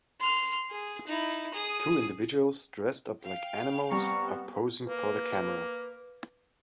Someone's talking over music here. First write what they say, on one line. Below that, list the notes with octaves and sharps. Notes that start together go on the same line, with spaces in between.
Two individuals dressed up like animals are posing for the camera.
C6 F6
G#4
D#4 E4
G#4 D#6
F5 G5
C3 G3 B3 A#5 C#6
A#3 B4